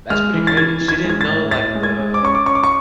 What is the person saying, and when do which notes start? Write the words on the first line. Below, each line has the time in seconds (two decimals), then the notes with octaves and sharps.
That's pretty crazy. She didn't know, like, the
0.10 G#3 F6
0.34 E3
0.47 A6
0.57 E3 G#6
0.81 E3
0.88 G#6
1.04 G#3
1.10 G#6
1.21 A6
1.28 A2
1.51 A2 A6
1.75 G#3
1.83 G#6
1.99 G#3
2.14 D6
2.22 C#4 C#6
2.35 D6
2.46 C#4 C#6
2.55 D6
2.64 C#6